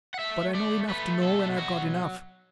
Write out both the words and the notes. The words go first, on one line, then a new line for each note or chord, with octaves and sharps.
But I know enough to know when I've got enough.
F#5
A3 E5
A3 D5
A3 B4
B2 A4
F#3 F#4